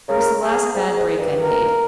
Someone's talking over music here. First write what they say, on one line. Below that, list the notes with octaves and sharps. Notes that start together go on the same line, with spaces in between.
It was the last bad break I made.
C#3 A#4
G#4
G#2 G#4
G#2
G2
A#4